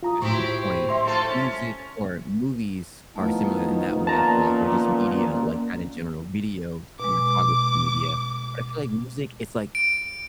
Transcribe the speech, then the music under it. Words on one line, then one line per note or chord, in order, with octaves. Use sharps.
to a certain point. Music or movies are similar in that way, I feel like or just media, like at a general video cinematography media. But I feel like music it's like
F4 A#5 D#6
A2 C4 E4 F#4 G4 C#6
C4 E5 C6
A3 F4 A4
C#4
D#3 F3 A3 B3 D#4 E4
A#2 A#3 C#4 A5 A#5
B2 G#3 D6
D7